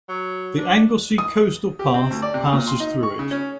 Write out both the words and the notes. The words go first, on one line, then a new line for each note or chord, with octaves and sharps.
The Anglesey Coastal Path passes through it.
F#3
D4
D#6
G4
C4
D2
D5
C3
A#2
C6
D#4
C#6
C#3
C#4